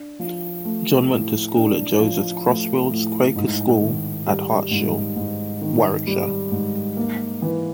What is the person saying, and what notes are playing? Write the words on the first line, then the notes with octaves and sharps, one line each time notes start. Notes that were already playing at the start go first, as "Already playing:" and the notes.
John went to school at Joseph Crosfields Quaker School at Hartshill, Warwickshire.
Already playing: D4
F3
A3
A2
D4
F3
A3
A2
G#2
D#3
G3
G#2
G#2
D#3
G3
G#2
A#3
E3